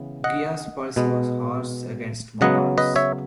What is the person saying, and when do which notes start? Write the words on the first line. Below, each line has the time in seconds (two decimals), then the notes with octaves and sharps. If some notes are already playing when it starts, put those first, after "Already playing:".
Ghiyas's policy was harsh against Mongols.
Already playing: C#3 E3 B3
0.24 D#5 F#5
0.96 B2 G#3 B3
2.41 C#3 F#3 B3 D#5 F#5
2.78 B4 D#5
2.96 C#5 E5